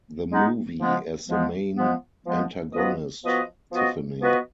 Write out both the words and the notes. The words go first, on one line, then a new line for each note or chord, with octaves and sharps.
The Movie as the main antagonist, Tiffany.
G#3 B3 D#4
F3 G#3 B3
F3 G#3 B3
F3 G#3 B3
F3 G#3 B3
F3 B3 F#4 B4 D#5
F3 B3 F#4 B4 D#5
F3 B3 F#4 B4 D#5
F3 B3 F#4 B4 D#5